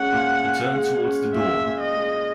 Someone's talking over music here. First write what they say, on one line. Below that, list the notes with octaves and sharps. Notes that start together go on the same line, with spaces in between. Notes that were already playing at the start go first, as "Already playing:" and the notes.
He turned towards the door.
Already playing: G#3 C#4 F#5
A#2
A#2
G#3
C#4
A#2 E5
A#2
D#5
G#3